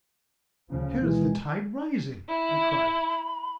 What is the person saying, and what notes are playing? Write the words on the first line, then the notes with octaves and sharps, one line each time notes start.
"Here is the tide rising," I cried.
D2 C#3 F3
B2 E3 G#3
E4 B5